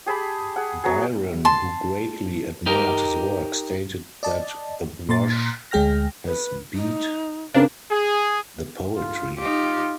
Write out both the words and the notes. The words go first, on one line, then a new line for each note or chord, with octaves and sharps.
Byron, who greatly admired his work, stated that "the brush has beat the poetry".
G4 G#4 A5 B5
G#4 F#5
F#3 B3 G#4
A5 C6
D#4 G4 A#4
D5 D#5 A5
A#2 A#5 C6 A6
D2 G#3 G#4 G5 F6 A#6
B4
D#4
C#3 C4 D4 A#4 B4
G#4
F4
D#4 F4 G4